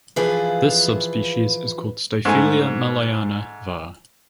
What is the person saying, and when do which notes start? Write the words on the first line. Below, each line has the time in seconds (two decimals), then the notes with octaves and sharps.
This subspecies is called "Styphelia malayana" var.
0.16 E3 F3 E4 F4 G#4 B4
2.25 G#2 A3 G#5